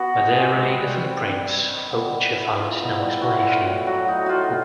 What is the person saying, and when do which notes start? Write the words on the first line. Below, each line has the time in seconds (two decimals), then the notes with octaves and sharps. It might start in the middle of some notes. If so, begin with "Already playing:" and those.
But there remain the footprints, for which I found no explanation.
Already playing: B3 F#4
0.16 G#3
0.37 G#3
0.60 C4
0.81 G3
1.04 C4
1.25 C4
1.47 G3
1.69 D#3
1.90 B3
2.13 E3
2.33 E3
2.55 E3 F4
2.78 B3 D#4
2.89 E4
2.99 G3
3.21 A2 F#4
3.31 F4
3.39 A2 E4
3.49 F4
3.65 A2
3.86 F#3 F#4
4.08 A2 D#4
4.26 A2 F4 F#4